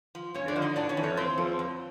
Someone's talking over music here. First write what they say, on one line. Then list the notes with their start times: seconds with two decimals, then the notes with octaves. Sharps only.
yes, there is a
0.15 F3
0.34 G2 C#4 C#5
0.48 D4 D5
0.56 D3 F3
0.62 D#4 D#5
0.76 A2 D4 D5
0.89 C#4 C#5
0.97 E3
1.03 C#4 C#5
1.17 A#2 C4 C5
1.38 F3
1.59 F2